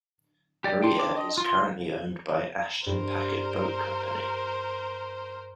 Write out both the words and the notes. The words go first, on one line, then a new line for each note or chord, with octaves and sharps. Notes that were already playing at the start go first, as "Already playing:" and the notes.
"Maria" is currently owned by Ashton Packet Boat Company.
G4 D5
D4 G5 C6
D6
D#5
F4 C6
G2 A#4 C5